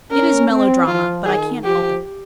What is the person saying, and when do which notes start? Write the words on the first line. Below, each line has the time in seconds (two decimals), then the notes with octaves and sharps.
It is melodrama; but I can't help it.
0.11 C#4 A#4
0.50 C4
0.87 F3 F4
1.26 D#3 G#4
1.63 F3 G4